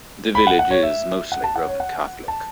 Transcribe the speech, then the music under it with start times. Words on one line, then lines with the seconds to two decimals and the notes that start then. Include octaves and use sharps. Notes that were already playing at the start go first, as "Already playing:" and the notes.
The village is mostly Roman Catholic.
0.35 B5
0.47 F#5
0.59 F#5
0.71 C#5
0.83 E5
1.32 F#5
1.44 A5
1.56 F#5
1.67 C#5
1.80 F#5
2.28 A5